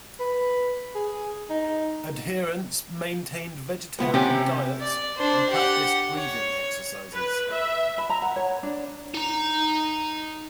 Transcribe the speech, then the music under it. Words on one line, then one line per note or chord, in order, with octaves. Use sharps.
Adherents maintained vegetarian diets and practiced breathing exercises.
B4
G#4
D#4
C#2 B3
C3 C#4 G4
D5
D4 C5
G4 F#5
C#5
B4
E5
B5
A#5
F#5
C#5
D4
D#4 A#5